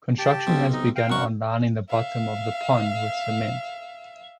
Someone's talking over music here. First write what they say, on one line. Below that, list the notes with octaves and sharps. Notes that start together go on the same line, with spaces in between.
Construction has begun on lining the bottom of the pond with cement.
G4 A5
B1 C3
D#4 D#5
F5 G5
F#2 A#4 F#5 C#6
E5 F5